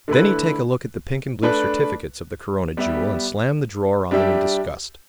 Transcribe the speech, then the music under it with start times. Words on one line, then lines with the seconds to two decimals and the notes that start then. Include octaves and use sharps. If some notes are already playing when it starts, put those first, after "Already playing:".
Then he'd take a look at the pink and blue certificates of the Corona Jewel and slam the drawer on them in disgust.
0.08 D3 A3 E4 B4
1.43 A3 D4 B4
2.77 G3 B3 G4 E5
4.11 G3 D4 G4 E5